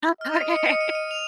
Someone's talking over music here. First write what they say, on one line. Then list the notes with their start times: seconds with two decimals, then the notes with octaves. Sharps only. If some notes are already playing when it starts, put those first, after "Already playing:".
Oh, okay.
0.21 D#5 F6
0.31 D#6
0.41 D#7
0.51 C#7
0.66 C#7
0.81 D#7
0.95 D#7
1.11 F7